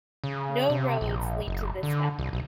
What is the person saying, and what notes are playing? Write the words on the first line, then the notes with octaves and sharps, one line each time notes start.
No roads lead to this valley.
C#3
C3
A#1
F#1
D3
C2
B1